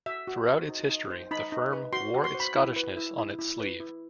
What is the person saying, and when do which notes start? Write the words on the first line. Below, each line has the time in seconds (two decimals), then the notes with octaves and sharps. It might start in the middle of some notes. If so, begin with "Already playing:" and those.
Through its history, the firm wore its Scottishness on its sleeve.
0.06 F#4 E5
0.27 F#4
0.48 C5
0.69 D#4
0.89 D#4
1.10 C5
1.31 D#4 B5
1.52 D#4
1.73 B4
1.93 F#4 C6
2.14 F#4
2.24 C6
2.35 C5
2.40 B5
2.55 E4
2.76 B4
2.97 E4
3.18 E4
3.39 E4
3.60 B4
3.80 E4